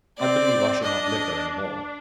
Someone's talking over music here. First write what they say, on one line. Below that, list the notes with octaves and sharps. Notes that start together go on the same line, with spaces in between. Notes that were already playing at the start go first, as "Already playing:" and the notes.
I believe I shall not live there any more.'
C4 D5
D4 D#5